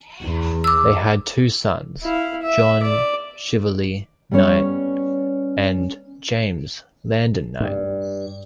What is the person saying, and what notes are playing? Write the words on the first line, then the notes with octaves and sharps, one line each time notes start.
They had two sons, John Shively Knight and James Landon Knight.
E2
D6 E6
E4 F5
E5
D5
G3 B3 C#4 C#5
G2